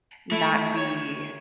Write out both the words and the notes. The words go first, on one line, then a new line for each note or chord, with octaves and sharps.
not be
A3 E4
C#5